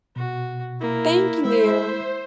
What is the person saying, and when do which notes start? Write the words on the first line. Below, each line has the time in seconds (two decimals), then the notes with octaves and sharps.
Thank you.
0.16 B2 F#4
0.81 A#3 E4
1.45 G#3 C5 E5